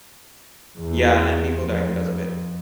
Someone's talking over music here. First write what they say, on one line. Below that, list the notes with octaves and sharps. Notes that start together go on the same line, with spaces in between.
Ya and people died because of it.
E2
F2